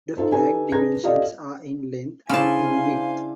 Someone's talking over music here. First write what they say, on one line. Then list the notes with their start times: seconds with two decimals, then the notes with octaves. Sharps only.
The flag dimensions are in length and in width.
0.17 D#4 F4 A4 C5
0.32 D#4 G4 A4 B4 G#5
0.72 D4 G#4 B4 G#6 A#6
1.03 F4 G4 A4 D5 D#5 F5
2.29 C#3 D4 E4 C5 F5 G#5 A5 C6